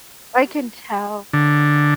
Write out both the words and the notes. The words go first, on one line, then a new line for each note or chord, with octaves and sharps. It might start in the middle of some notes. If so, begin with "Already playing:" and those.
I can tell.
D3